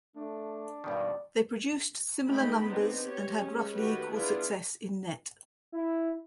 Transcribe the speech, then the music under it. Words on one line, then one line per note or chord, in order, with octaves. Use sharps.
They produced similar numbers and had roughly equal success in net.
A3 D4
G2 B2 D#3 D5
G#3 A3 D#4 G5 B5
B3 C4 D4 D#4
G4 C#5
G#3 C#4
D#3 A3 F#4 G4 B4
B3 D4 E4 F4 G#4
E4